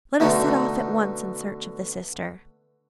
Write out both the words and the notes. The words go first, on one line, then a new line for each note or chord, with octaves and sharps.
Let us set off at once in search of the sister.
B2 D3 A3 D#4